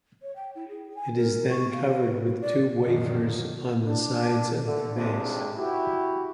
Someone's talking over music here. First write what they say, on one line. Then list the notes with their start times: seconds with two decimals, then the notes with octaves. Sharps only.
It is then covered with two wafers on the sides of the base.
0.22 C#5
0.36 G5
0.55 E4
0.69 G#4
0.95 G#5
1.16 A#4
1.50 C#6
1.73 F5
2.04 B4
2.25 F#4
2.41 D5
2.82 F#2 A#2 D3 D#3 F3 F#3
3.85 D4
4.64 D3 A3
4.94 G#1 D#2 C3 G#3 C4 D4
5.56 E4 F#4 G4